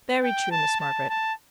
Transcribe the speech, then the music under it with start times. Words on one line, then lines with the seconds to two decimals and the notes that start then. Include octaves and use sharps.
'Very true, Miss Margaret.
0.23 G5
0.51 A5
0.80 A5
1.09 A5